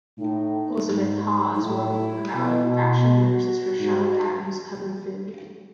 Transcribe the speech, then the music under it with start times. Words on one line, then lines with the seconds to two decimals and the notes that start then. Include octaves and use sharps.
Elizabeth Hawes wrote about fashion, and her sister Charlotte Adams covered food.
0.18 A2 D#4
0.90 G#2
1.54 D#4
1.62 A2 E4
2.34 B2
3.07 F#4
3.78 G#2